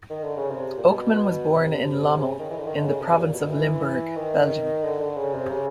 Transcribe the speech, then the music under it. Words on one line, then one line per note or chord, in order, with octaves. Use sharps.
Oakman was born in Lommel, in the province of Limburg, Belgium.
D#3
D3
C#3
C3
A#2
B2
C3
C#3
D#3
E3
D3
D#3
D3
C#3
C3
A#2
B2
E3
D#3
D3
D3
C#3
C3
C#3